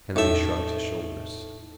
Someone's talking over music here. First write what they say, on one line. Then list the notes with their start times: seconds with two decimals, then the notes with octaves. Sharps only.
Kennedy shrugged his shoulders.
0.16 E2 A2 D#4 A4 E5